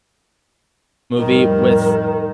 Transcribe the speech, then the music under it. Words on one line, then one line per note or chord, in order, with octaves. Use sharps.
movie with,
F2 A2 D#3 G3 A#4